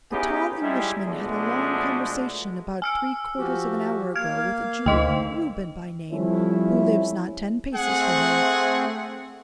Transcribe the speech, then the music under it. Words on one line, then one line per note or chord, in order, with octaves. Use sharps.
"A tall Englishman had a long conversation about three-quarters of an hour ago with a Jew, Reuben by name, who lives not ten paces from here."
B3 C#4 D#4 E4 G4 G#4
G3 G#3 D#4 E4
B2 F3 G#3 A3 B3 D4
G#5 E6 F6
F3 F#4 G4
A#3 F5 F6 G#6
D2 D#4 D#5 G5
F3 G3 A3 C4 C#4 E4
A3 C4 G#4 F#5